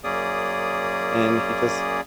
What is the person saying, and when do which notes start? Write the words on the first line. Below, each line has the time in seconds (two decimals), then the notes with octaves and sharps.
and he just
0.04 F#2 A#3 C#4 G#4 D5 D#6